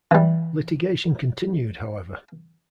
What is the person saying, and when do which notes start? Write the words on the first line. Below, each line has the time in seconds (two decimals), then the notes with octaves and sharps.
Litigation continued, however.
0.11 E3 G3